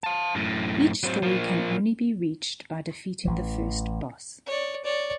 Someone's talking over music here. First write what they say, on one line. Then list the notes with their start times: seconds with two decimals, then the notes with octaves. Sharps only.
Each story can only be reached by defeating the first boss.
0.04 F5 A5
0.35 F#2 A2
1.03 F#3 C4
1.23 F3 A#3
3.25 A1 E3
4.46 C#5 D5
4.84 C#5 D5